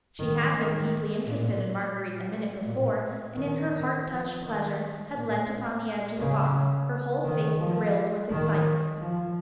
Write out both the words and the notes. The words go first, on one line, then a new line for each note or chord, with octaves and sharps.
She had been deeply interested in Marguerite a minute before, and, in her heart-touched pleasure, had leant upon the edge of the box, her whole face thrilled with excitement.
D#3
D#3
A#2
A#2
D#3
D#3
F3
D#3
A#2
C#3
D#3
F3
D#3
F3